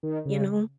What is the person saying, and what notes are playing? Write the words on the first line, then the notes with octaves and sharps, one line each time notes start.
you know?
D#3
C#3